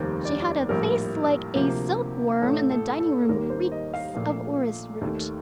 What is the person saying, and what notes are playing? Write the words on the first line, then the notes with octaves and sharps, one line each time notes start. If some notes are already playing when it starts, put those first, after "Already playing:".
She had a face like a silkworm, and the dining-room reeks of orris-root.
Already playing: F1 D#2 D#3 G3 A#3 C5
D5
A#1 A2 G3 A#3 A#4
D2 C3 F3 A#3
A1 A2 A3 A4
A4
A4
D#2 D#3 G3 A#3 A#4
C5
D#5
F5
A#1 A#2 A3
D#2 D#3 A3